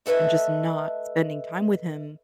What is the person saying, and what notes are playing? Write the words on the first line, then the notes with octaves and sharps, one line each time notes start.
and just not spending time with him,
A3 A4 B4 D#5 E5